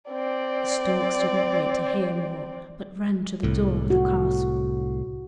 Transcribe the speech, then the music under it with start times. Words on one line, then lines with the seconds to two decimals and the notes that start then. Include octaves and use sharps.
The storks did not wait to hear more, but ran to the door of the castle.
0.11 C4 D5
3.43 C2 A2
3.90 F#4